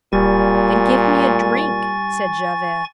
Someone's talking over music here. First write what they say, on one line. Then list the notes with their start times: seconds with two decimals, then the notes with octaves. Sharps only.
"Then give me a drink," said Javert.
0.13 D1 A#2 G3 G#5 C#6 A6